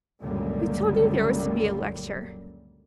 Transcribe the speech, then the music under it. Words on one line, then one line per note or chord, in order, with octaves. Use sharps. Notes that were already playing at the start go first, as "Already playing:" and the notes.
"Who told you there was to be a lecture?"
C#2 F#2 A#2 D3 G3 A#3